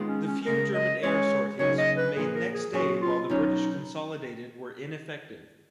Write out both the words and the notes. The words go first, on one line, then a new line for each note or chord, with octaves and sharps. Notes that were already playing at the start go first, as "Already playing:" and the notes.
The few German air sorties made next day while the British consolidated were ineffective.
Already playing: D#3 G#3 B3 F4
C#4
C#4
C#3 G#3 B3 A#4
D#5
G#3 C#4 G#4 C#5
C#3 F#3 A#3 D#4 G#4 C#5
D#5
B4
A#2 F3 A#3 G#4
A#4
G#4
A#2 F#3 C#4 F#4 G#4
F4
B2 F#3 C#4 D#4